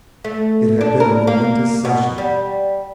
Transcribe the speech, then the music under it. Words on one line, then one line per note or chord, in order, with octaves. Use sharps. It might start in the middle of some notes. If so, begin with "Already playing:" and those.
It had been a momentous session.
A3
D4
A#4
A#3
B2
G3